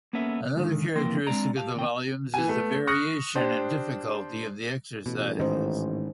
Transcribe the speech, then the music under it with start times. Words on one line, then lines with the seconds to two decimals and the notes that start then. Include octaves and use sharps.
Another characteristic of the volumes is the variation in the difficulty of the exercises.
0.13 A#3 B3 C#4 A4 B4 E5
0.56 G#2 B2 D3 D#3
0.96 F2 E3 A#3 A#4 G5 C6
1.27 G#3 C4 D4 D5 A#5
1.55 G4 F5 G#5 A5
1.75 D#2 C3 G5
2.34 E3 G#5
2.48 A3 B3
2.87 C#6 D#6 F6 F#6 A#6 C#7
3.36 D4 G4 C5
5.06 A1 B2
5.40 G#2 D#3 C#4 C5 D#5